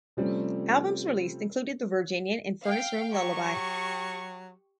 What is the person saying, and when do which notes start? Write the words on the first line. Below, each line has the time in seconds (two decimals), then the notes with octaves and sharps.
Albums released included "The Virginian" and "Furnace Room Lullaby".
0.17 C3 F3 G3 A3 C4 C#4
2.62 F5 G5
3.14 F#3 G4 C#6